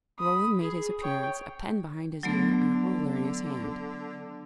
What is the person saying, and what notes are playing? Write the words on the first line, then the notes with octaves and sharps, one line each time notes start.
Roland made his appearance, a pen behind his ear, and a ruler in his hand.
B5 D#6
G#4
C#5 G5
D3 F#3 A3 B3